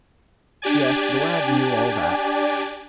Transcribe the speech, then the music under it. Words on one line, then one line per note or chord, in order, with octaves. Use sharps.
Yes; the lad knew all that.
D4 G4 D5 G#5